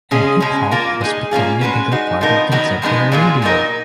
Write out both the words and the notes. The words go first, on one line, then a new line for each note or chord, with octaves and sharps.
And hip hop was becoming a bigger part of contemporary radio.
C#3 G#3 C#4 G#4
B2 G#3 C#4
A#3 F4 A#4
G#3 D#4 G#4
A#3 C#4 F4 G#4
G#3 C#4 F#4 B4
G#3 D#4 F#4
F3 B3 D#4 A#4
D#3 F#3 B3 F#4 A#4
F3 G#3 B3 D#4
A#2 G#3 B3 F4 G#4
A#2 F#3 B3 D#4 A#4